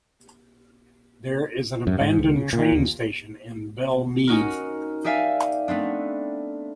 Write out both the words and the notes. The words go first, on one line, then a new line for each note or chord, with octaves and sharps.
There is an abandoned train station in Belle Mead.
F#2
G#2
C#2
C#3
A#2
D#2
C#4 D#4 F#4 A#4
D#4 G4 D5 E5 F5 G#5
A3 B3 C4 D4